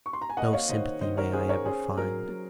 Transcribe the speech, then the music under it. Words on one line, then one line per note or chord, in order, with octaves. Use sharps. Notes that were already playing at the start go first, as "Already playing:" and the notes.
No sympathy may I ever find.
C#6
C6
A#5
G#5
A#3 D#5 F#5
C#5 F5
D#3 C5 D#5
D#3 C5 D#5
A#4 C#5
C#4 G#4 C5
A#4 C#5
C#4 G#4 C5
F#3 A#4
F#3